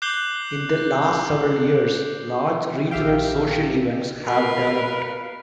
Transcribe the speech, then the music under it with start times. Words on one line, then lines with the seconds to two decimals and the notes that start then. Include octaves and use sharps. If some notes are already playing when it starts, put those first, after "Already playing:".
In the last several years, large regional social events have developed.
0.02 D6 F#6 G6 C7 F#7 G7
2.91 A#1 G4 E5 F5 G5
4.25 A#4 B4 F5 B5